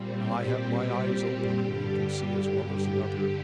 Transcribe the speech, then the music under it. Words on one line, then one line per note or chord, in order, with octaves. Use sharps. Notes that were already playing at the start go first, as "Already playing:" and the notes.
I have my eyes open and can see as well as another.
Already playing: A#2 G3 C4
G4
G4
G2 D3 G3